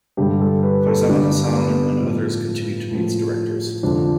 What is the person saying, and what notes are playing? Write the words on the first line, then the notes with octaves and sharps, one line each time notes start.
Farzana Hassan and others continue to be its directors.
G2 D3 G3 G4
A4
B4
A4
G2 D3 G3 D4
D4
B3
A2 F3
A2 F3
F2 D3 F3 D4